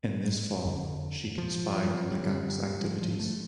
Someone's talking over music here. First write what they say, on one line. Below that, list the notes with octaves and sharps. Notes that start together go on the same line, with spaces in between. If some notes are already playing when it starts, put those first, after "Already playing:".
In this form, she can spy on the Gang's activities.
F2 D3
F3
G2 D3 G3
F3
F3
A3